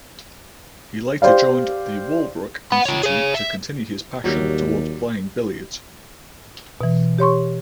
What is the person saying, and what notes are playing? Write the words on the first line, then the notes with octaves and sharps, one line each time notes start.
He later joined the Walbrook Institute to continue his passion towards playing billiards.
G4 C5 D5 F5
F#5 B5
F4 C#5
G#4 C#5
E5
D#2 F#3 G3
B2 E3
G4 C#5 C6 C#6